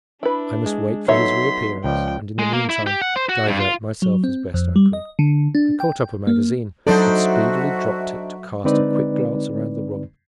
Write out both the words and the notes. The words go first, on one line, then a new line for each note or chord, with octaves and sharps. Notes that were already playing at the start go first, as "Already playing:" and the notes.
I must wait for his reappearance, and in the meantime divert myself as best I could. I caught up a magazine, but speedily dropped it to cast a quick glance around the room.
D4 E4 B4
G#3
F#3 B3 D#4 A4 C#5 E5 C6 B6
C#2 F3 D5 G5
G#3
A#3
E4
G4
F#5
C5
F#4
G2
F4
F#3
C4
F2
G3
D#5
D3
D4
G5
A#3
F#3 D4 D#4 F#4 A4 C5 E5
D3 G#3 C4 D#4 B4 D5